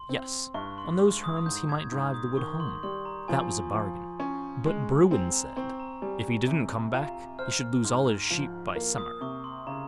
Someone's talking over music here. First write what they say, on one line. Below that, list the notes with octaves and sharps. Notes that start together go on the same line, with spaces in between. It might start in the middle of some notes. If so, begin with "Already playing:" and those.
Yes! on those terms he might drive the wood home, that was a bargain; but Bruin said, 'if he didn't come back, he should lose all his sheep by summer'.
Already playing: C6
C4
G2 C#6
C6
G#3 C#6
D#6
G#2 G6
G#6
G#2 G6
D#6
D#3 C#6
C6
G3 C6
A#5
F3 G#5
F3
C#4
G#3
C4 A#5
A#5
C4 C#6
A#5
G3 G#5
C3
F4 A#5
C5 F6
G#2
F3
A#3
D#6
C3 C#6
C6
C#3 A#5